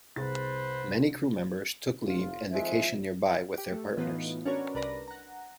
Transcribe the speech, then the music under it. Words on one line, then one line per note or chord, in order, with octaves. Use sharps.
Many crewmembers took leave and vacationed nearby with their partners.
C2 G#4 B4 C5 A6
F1 A2 F4
F2 D#3 F3 G#3 E5
G4
A3
A2 E3 B3 D#4 F4
C#4 D4 F#4 A#4 B4 C#5
C2 D4 A#4 B4 D5 A#6
F#5 A#5